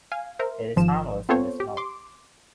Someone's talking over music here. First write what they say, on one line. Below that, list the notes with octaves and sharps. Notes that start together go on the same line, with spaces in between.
It is harmless in this mode.
F5 G#5
A#4 C5 E5
G#1 F3 E7
B3 C4 F4 A4 C5 C#5
G4
C6 D6